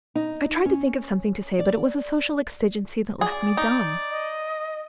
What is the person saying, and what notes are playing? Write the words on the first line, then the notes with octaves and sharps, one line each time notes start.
I tried to think of something to say, but it was a social exigency that left me dumb.
D#4
C#4
D5
G#4 D5
D#4
D#5